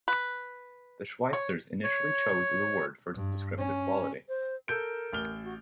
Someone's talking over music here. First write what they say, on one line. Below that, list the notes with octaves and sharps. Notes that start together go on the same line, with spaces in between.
The Schweitzers initially chose the word for its descriptive quality.
B4
C#5
C#5
G2
C#4
C5
A4 A#4 G6 D7
A1 F6 G7
F#4